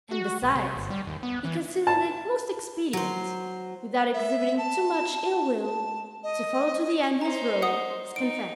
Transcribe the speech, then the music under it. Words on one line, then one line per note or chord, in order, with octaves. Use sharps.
And besides, he considered it most expedient, without exhibiting too much ill-will, to follow to the end his role as confessor.
F#4
A#1
C3
G1
G3
D#2
B3
E3
A5
F#3 C5
E5
A5
A5
D#5
D#4 C5 C#5 A#5
F#5 D#6 C7
D#4 D7